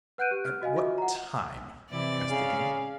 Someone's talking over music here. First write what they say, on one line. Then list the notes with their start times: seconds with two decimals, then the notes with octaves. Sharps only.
"At what time?" asked the king.
0.18 B4 F#5 F#6 G6 D7 D#7
0.31 G4
0.46 F6
0.62 F#4 D#5 F5 G#5
0.76 F4 F#4 D#5 E5
0.98 F#5 A#5
1.91 C3 E3 E4 D5
2.30 C#3 F5